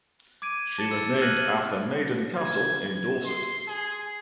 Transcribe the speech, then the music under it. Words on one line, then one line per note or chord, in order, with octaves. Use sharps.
She was named after Maiden Castle in Dorset.
D6 G#6 D7 D#7
A5 A6 C#7 E7
E6
F6 F#6 G#6 D#7 F#7
G#6
C6
G#4